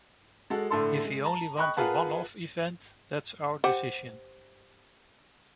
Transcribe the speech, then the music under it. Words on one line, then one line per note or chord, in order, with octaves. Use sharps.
If we only want a one off event, that's our decision.
G#3 F#4 A4
A2 D3 A4 C6
G#3
A5 A#5
D#5 G5 B5 C#6 F#6
F4 G#4 A#4 B4 F#5 A5
G4 C5 F#5